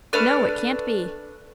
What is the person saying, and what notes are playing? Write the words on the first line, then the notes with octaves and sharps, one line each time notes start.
No; it can't be!
A3 D4 B4 F6